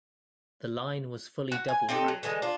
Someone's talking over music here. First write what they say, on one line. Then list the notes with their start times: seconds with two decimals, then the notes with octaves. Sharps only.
The line was fully double-tracked.
1.52 F#4
1.68 G#5
1.89 C4 D#4 G4 A4
2.08 F#3
2.23 D3 E3 G#3 D#5
2.42 D4 F4